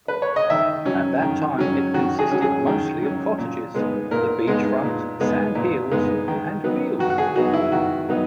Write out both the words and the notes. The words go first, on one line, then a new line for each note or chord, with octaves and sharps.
At that time it consisted mostly of cottages, the beach front, sand-hills and fields.
B4
C#5
D#5
D#3 E5
F#3 C#4
D#3
F#3 C#4
D#3 F#4
G#4
F#3 C#4
G#4
D#3
F#3 C#4
A#2
G#3 B3 D#4
A#2 A#4
G#3 B3 D#4
A#2
G#3 B3 D#4
A#2
G#3 B3 D#4
D#3
F#3 B3 D#4
D#3 F#4
F#4
G#4
F#3 B3 D#4 F#4
E4
D#3 F#4
F#3 B3 D#4